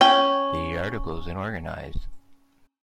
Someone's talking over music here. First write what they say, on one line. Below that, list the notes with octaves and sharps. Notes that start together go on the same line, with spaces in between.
The articles in Organise!
C#4 G5